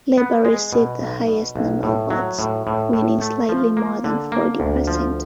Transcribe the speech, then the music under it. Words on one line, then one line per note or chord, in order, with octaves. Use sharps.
Labour received the highest number of votes, winning slightly more than forty percent.
B3
G#3
B2
B1
B2
B1
A2
F#3
A2
A2
A2
A3
F3
A#3
D3
A#3
D2
F3